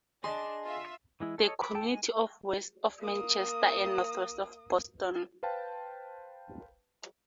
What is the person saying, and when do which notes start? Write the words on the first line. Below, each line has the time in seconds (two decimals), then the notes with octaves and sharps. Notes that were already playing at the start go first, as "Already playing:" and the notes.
The community is west of Manchester and northwest of Boston.
0.24 D4 G#4 D#5 C6
0.63 F4 E5
1.20 E3 G#3 E4
1.38 A4 C#5 D#5
1.62 B5 D6
1.75 A4 G5 A5
1.88 G#3 G#5
3.00 A#3 D#6
5.43 B4 C5 F5 G5 A5